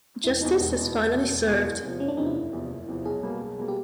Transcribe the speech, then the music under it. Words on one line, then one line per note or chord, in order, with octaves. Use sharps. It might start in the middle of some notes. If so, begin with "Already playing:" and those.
Justice is finally served.
E1 E4
E2 B2 D#4
E1
E2
B2
E1
E2 B2
E1
E2 B2
F#1
E2 C3 F3
F#1 C#4
D4
E2 C3 F3 D#4
E4
F#1
E2 C3 F3
F#1
E2 C3 F3
B1 G#4
B2 G3 A#3
B1
B2 G3 A#3
G4